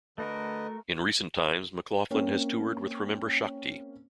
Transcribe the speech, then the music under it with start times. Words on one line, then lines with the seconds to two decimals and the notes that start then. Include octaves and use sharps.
In recent times McLaughlin has toured with Remember Shakti.
0.18 D3 A3 F#4 A#4 B4 D#5
2.11 A#3 C4 C#4